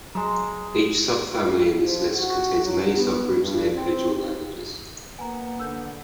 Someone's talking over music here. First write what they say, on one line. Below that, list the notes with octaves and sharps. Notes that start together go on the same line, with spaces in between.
Each subfamily in this list contains many subgroups and individual languages.
F#3 G#3 A#5 E6
F3
F#4
F#3
B3
G2
C4
A#3 B3 G#5 A#5
D3 E6 G6